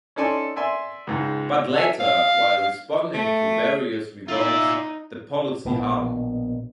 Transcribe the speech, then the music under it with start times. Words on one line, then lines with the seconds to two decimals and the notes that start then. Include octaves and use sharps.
But later, while responding to various revolts, their policy hardened.
0.16 C#4 D#4 A4 D5 G#5 C6
0.56 D5 E5 G#5 C6
1.07 C#2 G#2
1.74 A4 E5 G#5
2.00 F5
3.14 A3
4.28 D#4 F4 D5 E5
5.65 A#1 B2